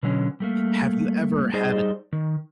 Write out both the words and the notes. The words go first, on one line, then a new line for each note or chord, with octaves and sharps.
have you ever had a
B2 D3 F#3 C#4
G3 A3 A#3
G3 D#4 G#4 C5 D5 D#5
D#3